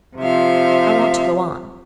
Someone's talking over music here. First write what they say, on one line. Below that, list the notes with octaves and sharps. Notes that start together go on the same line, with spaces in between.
"I want to go on."
C3 F3 E5 F5